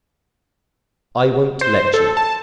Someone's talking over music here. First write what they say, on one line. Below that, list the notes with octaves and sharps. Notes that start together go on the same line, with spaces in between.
I won't let you.
C5
A4
A5